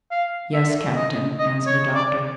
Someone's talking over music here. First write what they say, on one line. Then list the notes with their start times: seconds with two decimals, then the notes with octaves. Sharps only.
"Yes, captain," answered the doctor.
0.11 F5
0.54 E5
0.95 D#5
1.39 D#5
1.67 C#5
1.95 D5